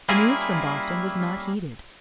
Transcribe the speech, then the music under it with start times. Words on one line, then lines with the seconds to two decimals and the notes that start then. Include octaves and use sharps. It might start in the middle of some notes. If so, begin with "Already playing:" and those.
The news from Boston was not heeded.
0.09 G3 A#3 C#4 E4 F4 G#4